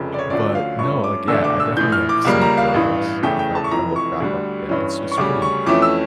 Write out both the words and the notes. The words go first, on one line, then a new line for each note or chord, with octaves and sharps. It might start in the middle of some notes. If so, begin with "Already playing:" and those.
but no, like, yeah. I definitely have seen the progress. If I if I look back, like, yeah, it's it's pretty
Already playing: F1 F2 C#3
D5
C#5
D2 D3 F3 C#4 D5
F5
G2 F3 A3 C#4 C#6
D6
E1 E2 D3 A3 D4 E6
D6
E6
A#1 A2 E3 G6
F6
D6
C#2 C#3 G3 A#3
A#5
F5
A1 G2 E3
E2 C#3 E3 A3 G5
G5
A5
C#6
F1 F2 E3 A#5
C#6
D2 D3 G3
G2 E3 G3 C#4
C#6
D2 C#3 G3 C#4 D6
C#6
F2 E3 A3 C#4 D6
E6